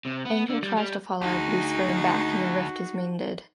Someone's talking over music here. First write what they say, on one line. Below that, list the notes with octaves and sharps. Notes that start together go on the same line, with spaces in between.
Angel tries to follow, but he's thrown back and the rift is mended.
C3
B3
D3
G3
G3
D2 D#4 F#4 G#4